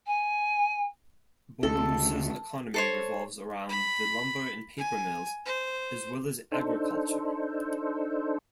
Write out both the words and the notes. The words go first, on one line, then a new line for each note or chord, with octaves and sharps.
Bogalusa's economy revolves around the lumber and paper mills, as well as agriculture.
G#5
D2 C#3 A4
A4 C5 C#5
B5
G#5
C5
D4 D#4 A4 C5